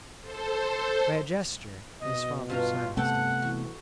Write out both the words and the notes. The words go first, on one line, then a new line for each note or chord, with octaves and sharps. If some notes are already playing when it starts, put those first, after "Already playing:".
By a gesture his father silenced him.
A4 C5
B2 D#5
G2 F4 F#4 A#5
C3 A3 B3 A4 F#5 G5
E3 F#4